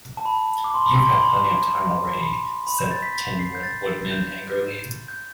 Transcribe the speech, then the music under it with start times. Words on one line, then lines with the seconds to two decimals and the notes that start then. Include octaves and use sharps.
"You've had plenty of time already," said the Tin Woodman, angrily.
0.17 A5
0.25 B5
0.64 D6
0.74 C6
0.85 B5
0.98 C6
1.10 B5
1.22 B5
2.19 B5
2.67 B5
2.79 G6
2.91 A6
3.02 B6
3.15 B6
3.39 C7
3.55 G6
3.63 A6
4.11 G6
5.08 G6